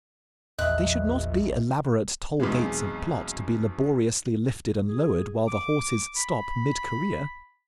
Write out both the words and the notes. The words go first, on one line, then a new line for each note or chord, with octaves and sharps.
They should not be elaborate toll-gates of plot, to be laboriously lifted and lowered while the horses stop, mid-career.
A#1 E2 D#5 E5 F#6
B1 E2 C3 G#3
G#4
D6
B5